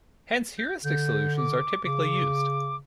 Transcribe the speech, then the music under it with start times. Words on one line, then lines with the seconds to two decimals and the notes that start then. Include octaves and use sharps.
Hence heuristic solutions are typically used.
0.58 G6
0.84 D3 G6
1.38 D6
1.85 C#3 D6